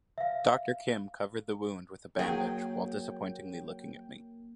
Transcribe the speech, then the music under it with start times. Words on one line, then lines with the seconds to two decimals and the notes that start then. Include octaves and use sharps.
Doctor Kim covered the wound with a bandage while disappointingly looking at me.
0.18 E5 F5
2.19 F#3 A#3 G#4 G5